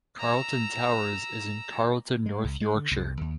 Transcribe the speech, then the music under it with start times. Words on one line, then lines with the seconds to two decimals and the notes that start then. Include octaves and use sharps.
Carlton Towers is in Carlton, North Yorkshire.
0.19 A#5 E6
2.26 G#3
2.44 C#2
2.61 G#3
2.76 D3
2.91 C2
3.21 D#2